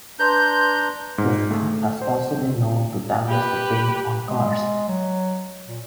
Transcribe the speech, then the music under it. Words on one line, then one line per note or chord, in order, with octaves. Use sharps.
The sap has also been known to damage the paint on cars.
D4 B4 A#5 C6 G6
G#2
A3
C5
C4
G4 B4
G#3
F#3
A#2